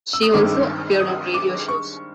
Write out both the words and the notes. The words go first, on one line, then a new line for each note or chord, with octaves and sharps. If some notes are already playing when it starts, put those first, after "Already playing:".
She also appeared on radio shows.
E6
D#6
G2 D#3 G#3 C4 D6
D#6
D6
C#6